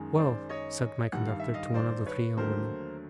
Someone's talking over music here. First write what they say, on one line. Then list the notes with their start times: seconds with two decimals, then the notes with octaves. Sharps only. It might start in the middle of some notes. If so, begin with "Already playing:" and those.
'Well,' said my conductor to one of the three young women.
Already playing: F#2 D#3 G#3
0.18 C5 D5
0.49 C#5 D#5
1.12 G2 D#3 G3 F#5
1.26 F5
1.40 E5
1.54 D#5 F5
1.74 C5 D5
2.06 B4 C#5
2.37 D#2 D3 F#3 A3 A#4 C5